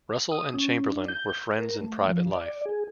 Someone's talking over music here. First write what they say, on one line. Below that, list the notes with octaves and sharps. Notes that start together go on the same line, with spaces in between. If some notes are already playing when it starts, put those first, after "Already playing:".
Russell and Chamberlain were friends in private life.
D#6
C#4
D4
G6
A#4
A3
F3
D5
G#4